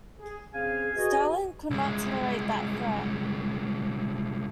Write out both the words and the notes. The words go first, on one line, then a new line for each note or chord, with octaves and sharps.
Stalin could not tolerate that threat.
G#4
C#3 C4 G#4 F5 G#5
F#4 G#4 B4 D#5
C2 G#3